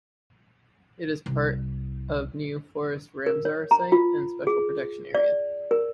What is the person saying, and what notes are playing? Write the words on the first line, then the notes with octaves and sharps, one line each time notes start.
It is part of New Forest Ramsar site and Special Protection Area.
C2
A#4
C#5
A#5
F4
G#4
D5
A#4